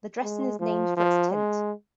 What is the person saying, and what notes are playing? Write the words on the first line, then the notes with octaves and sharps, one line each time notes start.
The dressing is named for its tint.
G#3
F3
F3
G#3